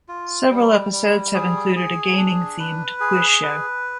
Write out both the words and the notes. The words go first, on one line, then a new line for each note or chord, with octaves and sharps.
Several episodes have included a gaming-themed quiz show.
F4
G3
G3
G#4
G#4
D4
B4
G#4
B4